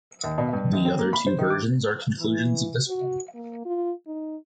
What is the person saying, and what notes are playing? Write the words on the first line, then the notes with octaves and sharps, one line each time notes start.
The other two versions are conclusions of this one.
D#2
B2
G2
D#2
C4
A#3
B5
C5
D#3
D6
E3
F#4
A#3
F4
D#4